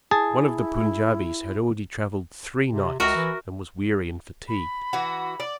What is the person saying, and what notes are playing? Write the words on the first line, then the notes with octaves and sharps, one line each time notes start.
One of the Punjabis had already travelled three nights and was weary and fatigued.
E4 G#4 A5
C3
C#2 F#4 A#4 E5
E3
B5
E3 F#4
D5